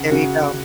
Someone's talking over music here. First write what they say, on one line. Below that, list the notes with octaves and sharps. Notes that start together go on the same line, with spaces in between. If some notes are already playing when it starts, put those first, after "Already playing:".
There you go.
Already playing: C#3 F#5
C#3 F#4